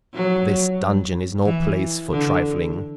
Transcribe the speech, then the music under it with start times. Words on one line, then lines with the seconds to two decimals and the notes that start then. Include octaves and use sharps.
This dungeon is no place for trifling.
0.14 F#3
1.45 E3
2.11 D3